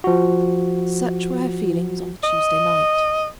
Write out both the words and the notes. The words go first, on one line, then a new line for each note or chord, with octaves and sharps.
Such were her feelings on the Tuesday night.
F3 F#4
D#5